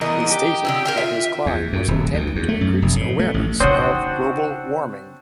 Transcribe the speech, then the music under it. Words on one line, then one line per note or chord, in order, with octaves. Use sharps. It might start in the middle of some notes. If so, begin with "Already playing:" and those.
He stated that his climb was intended to increase awareness of global warming.
E2 A#4 D#5
G4
D3 D#4 E4
A#4 F5 G5
F4 E5
E2
F#2
D#1
D2
E2
A3
F#2
F1
A2
A3
A1
C#3 C4 D4 D#4 F#4 C#5 C6 D#6